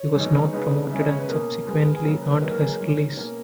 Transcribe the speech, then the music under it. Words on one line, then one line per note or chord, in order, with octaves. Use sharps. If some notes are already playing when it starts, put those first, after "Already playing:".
He was not promoted and subsequently earned his release.
Already playing: C#5
G#2 F#3 B3 D#4
C#3 G#3 B3 D#4 B4
C#3 G#3 C#4 E5
D#5
C#5
B4
B2 A#3 C#4 A#4
B2 G#3 B3
G#4
C#3 F#3 A#3 A#4
B4
G#2 F#3 A#3 D#4 B4
A#4
G#4
A#4
G#2 F#3 C#4
B2 A#3 C#4 A#4